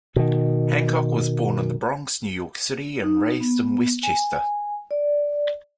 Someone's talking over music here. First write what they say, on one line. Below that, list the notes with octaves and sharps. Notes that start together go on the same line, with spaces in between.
Hancock was born in the Bronx, New York City and raised in Westchester.
B2 D#3
D#4
B3
G#5
D5